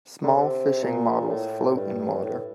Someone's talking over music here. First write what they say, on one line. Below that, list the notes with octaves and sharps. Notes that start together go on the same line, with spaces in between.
Small fishing models float in water.
D3
C3
A#2
A2
G2
A2